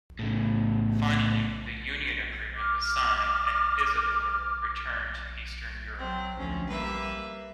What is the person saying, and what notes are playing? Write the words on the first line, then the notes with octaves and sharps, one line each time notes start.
Finally, the union agreement was signed and Isidore returned to Eastern Europe.
A2 C#3
D6 F6
F#3 C4
D2 F3 C#4
G3 A#3 B4 E5